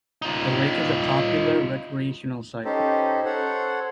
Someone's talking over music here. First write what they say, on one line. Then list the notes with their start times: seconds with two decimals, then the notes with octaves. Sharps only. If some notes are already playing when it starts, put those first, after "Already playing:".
The lake is a popular recreational site.
0.22 D#4 F4
2.65 C#4 D#4 G4 A4 C5
3.25 A4 C5 C#5 F#5